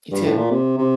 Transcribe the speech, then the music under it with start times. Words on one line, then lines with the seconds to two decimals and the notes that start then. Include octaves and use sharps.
You too.
0.11 G2
0.25 A2
0.37 A#2
0.51 C3
0.78 C3